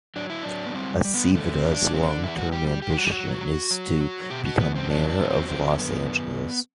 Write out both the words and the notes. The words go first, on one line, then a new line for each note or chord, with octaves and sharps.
Aceveda's long-term ambition is to become Mayor of Los Angeles.
F#3 D4
E4
F#3 D4
B3
G3 C4
G3
B3
D3 A3
C4
G2 E4
D4
D3 C4
D4
E2 E4
F#4
G3 G4
G4
G3 G4
E4
F#4
G4
F#3 F#4
F#3
F#3
F#3
B2 G4
F#4
E2 B3
C4
F#3 D4
D4
F#3 B3
C4
D3 C4
F#2 B3